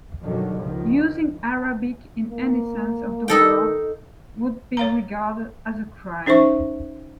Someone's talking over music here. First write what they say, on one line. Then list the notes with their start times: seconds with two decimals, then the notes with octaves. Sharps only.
Using Arabic in any sense of the word would be regarded as a crime.
0.22 F#2 B2 D3 D#3 F#3 G3
0.59 C#2 D#3 F3
2.30 A#3
3.28 D#3 D#4 A4 G5
4.77 C#5 F5 A#5
6.26 C#4 D#4 C5 E5 C#6